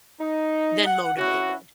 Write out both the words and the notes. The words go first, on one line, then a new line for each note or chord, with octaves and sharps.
than motivated?
D#4
F#5
C#4 E4 F#4